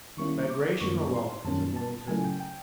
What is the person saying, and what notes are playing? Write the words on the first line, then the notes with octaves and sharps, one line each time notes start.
Bagration alone is a military man.
D#3 G3 A#3 C#4 E4 C#6
D6
F#2 D#3 G3 A#3 C#4 C#6
C6
F#2 D#3 G3 A#3 C#4 A5
A5
C#3 F#3 A3 C#4 E4 G#5
G5
G5